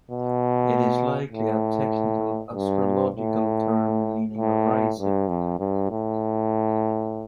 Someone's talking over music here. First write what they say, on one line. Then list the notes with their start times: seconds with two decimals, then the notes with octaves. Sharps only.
It is likely a technical astrological term meaning rising.
0.11 B2
1.32 A2
2.54 G2
3.16 A2
4.38 A2
4.99 G2
5.29 F2
5.60 G2
5.91 A2